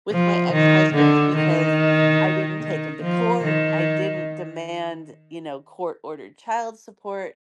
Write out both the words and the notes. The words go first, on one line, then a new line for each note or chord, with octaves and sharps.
with my ex-husbands because I didn't take him to court. I didn't demand, you know, court-ordered child support.
F3
D#3
D3
D#3
D#3
F3
D#3